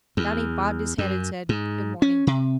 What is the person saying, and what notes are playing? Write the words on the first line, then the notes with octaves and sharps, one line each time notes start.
Johnny bobbed his head and said, "Good morning."
E2
F#2
G#2
C#4
C3